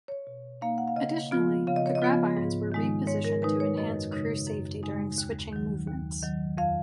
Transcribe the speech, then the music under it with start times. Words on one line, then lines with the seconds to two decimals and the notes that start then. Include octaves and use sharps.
Additionally, the grab irons were repositioned to enhance crew safety during switching movements.
0.08 C#5
0.27 B2
0.61 A#3 D#4 F5
0.78 F#5
0.88 F5
0.96 C#3 D#5
1.31 F3 B3 F4
1.67 C#3 F5
1.76 D#5
1.86 C#5
1.95 D#5
2.02 F3 B3 F4
2.37 G#2
2.72 D#3 G#3 D#4
3.07 G#2 C#5
3.25 A#4
3.42 D#3 G#3 D#4 B4
3.60 C#5
3.77 F#2 D#5
4.12 C#3 G#3 D#4
4.47 F#2
4.83 C#3 G#3 D#4
5.18 D#2
5.53 D#3 F#3
5.88 D#2
6.23 D#3 F#3
6.58 F2 F5